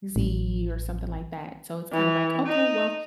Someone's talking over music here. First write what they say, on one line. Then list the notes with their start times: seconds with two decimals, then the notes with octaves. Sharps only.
X Z or something like that, so it's kinda like, "Okay, well,
0.16 A1
1.92 E3
2.47 D#4